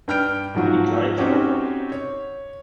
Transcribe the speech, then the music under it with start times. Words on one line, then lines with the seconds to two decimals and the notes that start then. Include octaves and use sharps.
He declined the offers.
0.08 G2 G5 F6 G6 D7
0.54 G#2 F3 F#3 F#4
1.18 C4 C#4 D#4 F#4 G4 C#5
1.92 C#5